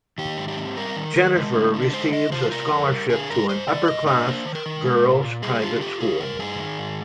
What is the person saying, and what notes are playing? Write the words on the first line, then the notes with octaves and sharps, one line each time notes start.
Jennifer receives a scholarship to an upper-class girls private school.
D#3 G4
G#2
G4
C4
G3 A#4
D#3
D#3
G#3
D3
D3
G#3 C5
D#3 D#5
F4 C5
C3 A#4
F2
G3
D3 G#4
G2 A#4
G2 C5
D#3 D5
G#2 D#5
D4 D#5
A#3 C5
D#3
A#4
D#3
G#3
A#2
A#2
G3 G#4
D3 F4
F4 G4
D3 G#4
G2 A#4
G2 G#4
D#3
G#2